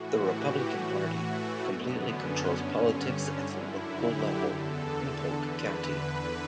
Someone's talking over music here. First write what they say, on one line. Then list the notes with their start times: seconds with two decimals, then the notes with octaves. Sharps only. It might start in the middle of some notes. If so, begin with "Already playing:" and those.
The Republican Party completely controls politics at the local level in Polk County.
Already playing: A2 E3 F#4
0.21 G4
0.67 A2 E3 F#4
1.14 A3
1.60 F#2 D3 B3
2.07 C#4
2.53 G2 D3 C#4
3.46 F#2 D3 E4
3.93 G4
4.39 E2 D3 A4
5.32 E2 D3 B4
5.79 B4